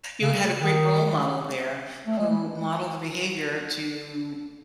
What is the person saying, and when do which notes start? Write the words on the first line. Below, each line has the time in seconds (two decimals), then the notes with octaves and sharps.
You had a great role model there who modeled the behavior to,
0.22 C#3
0.59 D#3
2.07 A3
2.18 G#3